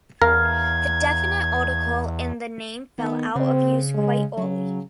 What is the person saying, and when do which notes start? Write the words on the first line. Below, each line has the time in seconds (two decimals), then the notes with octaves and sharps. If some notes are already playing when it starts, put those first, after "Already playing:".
The definite article in the name fell out of use quite early.
0.22 E2 A#4 F5 A#5 G#6
2.98 D#3 B3
3.36 C#3 C4
3.94 G#3
4.37 C#3 F#3